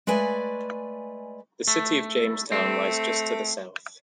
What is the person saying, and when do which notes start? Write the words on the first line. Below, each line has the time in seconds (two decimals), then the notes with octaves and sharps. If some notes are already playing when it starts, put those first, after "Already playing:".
The city of Jamestown lies just to the south.
0.07 G#3 A3 B4 D5 G#5
1.68 A3
2.52 A3 C4